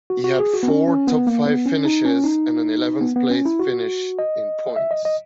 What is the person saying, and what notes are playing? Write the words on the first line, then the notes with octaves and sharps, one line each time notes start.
He had four top five finishes and an eleventh-place finish in points.
F#4
F#4
G#4
F#4
B3
C#4
C#4
B3
A#3
B3
C#4
D#4
C#4
D#4
B3
B3
C#4
E4
F#4
D#5
E5
D#5
D#5